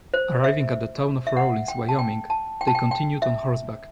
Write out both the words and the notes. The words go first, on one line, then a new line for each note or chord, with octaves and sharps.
Arriving at the town of Rawlins, Wyoming they continued on horseback.
C5
E5
E5
F#5
G5
A5
G5
A5
G5
A5
G5
G5
E5